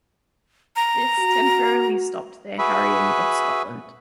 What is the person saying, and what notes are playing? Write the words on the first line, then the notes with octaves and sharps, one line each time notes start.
This temporarily stopped their harrying of Scotland.
A#5
F#4
F#4 G#4 B4 E5 B5